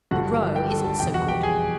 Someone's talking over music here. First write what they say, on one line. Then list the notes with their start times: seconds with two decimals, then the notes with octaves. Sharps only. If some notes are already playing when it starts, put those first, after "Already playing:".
The roe is also good.
0.11 G#1 G2 D3 F3 F#4 F#5
0.55 G4 G5
0.70 A4 A5
0.84 A4 A5
0.99 F1 E2 B2 G4 G5
1.14 F#4 F#5
1.28 G4 G5
1.43 G#4 G#5